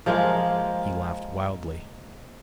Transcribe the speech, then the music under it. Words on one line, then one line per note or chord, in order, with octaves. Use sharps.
He laughed wildly.
F3 G#3 A#3 F4